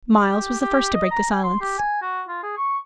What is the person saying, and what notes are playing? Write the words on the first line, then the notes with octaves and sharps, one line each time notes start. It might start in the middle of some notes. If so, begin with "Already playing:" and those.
Myles was the first to break the silence.
G4
G4
D#5
A#5
G#5
C6
G4
G#5
F#4
F4
G#4
C#6